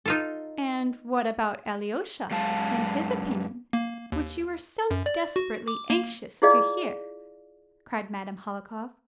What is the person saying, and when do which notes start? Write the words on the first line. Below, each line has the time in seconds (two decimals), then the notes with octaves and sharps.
"And what about Alyosha and his opinion, which you were so desperately anxious to hear?" cried Madame Hohlakov.
0.06 D#4 F4 A4
2.31 F#2 G#3 F5 A5
3.73 A#3
4.12 D#2
4.91 F#2
5.06 D5
5.36 F#4
5.68 D6
5.90 A#3
6.42 E4 F4 G#4 D5 D#5 F5